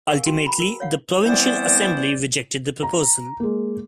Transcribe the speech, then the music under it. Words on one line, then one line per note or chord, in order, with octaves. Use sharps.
Ultimately the provincial assembly rejected the proposal.
G#4 A#4 F5 F#5 G#5 C#6
F#4 G5 C6
A#5 B5
A#4
C#5 F5 F#5
E3 G3 B3 C4 C5 D5
A#5
G#3 A#3